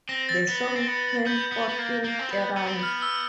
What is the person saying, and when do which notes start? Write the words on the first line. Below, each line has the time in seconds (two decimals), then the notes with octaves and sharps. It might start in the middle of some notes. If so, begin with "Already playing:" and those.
The song came fourth in Kerrang!
0.09 C4 A#6
0.29 A6
0.48 B3
0.76 C4
0.88 B3
1.26 B3 G6
1.52 B3
1.69 B3
1.79 A#3
2.04 A#3
2.19 C4
2.31 B3
2.57 B3
2.66 C4
2.74 B3
2.83 F6
3.02 E6